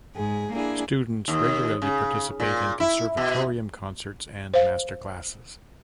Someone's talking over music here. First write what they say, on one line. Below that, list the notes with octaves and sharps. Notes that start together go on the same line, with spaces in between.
Students regularly participate in Conservatorium concerts and master classes.
G#2 G#4
A#3 D4 E4 G#4 G#5
D#2
C#3
A#2
E4
B2
C5 F5